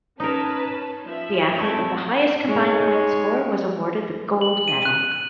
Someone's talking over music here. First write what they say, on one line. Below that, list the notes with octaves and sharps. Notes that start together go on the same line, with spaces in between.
The athlete with the highest combined points score was awarded the gold medal.
C#4 D#4 A#4 B4 A5
F3 E5
A3 C4 E4 A4
G#3 D#4 C#5
F#7
D#7
F#6
F#6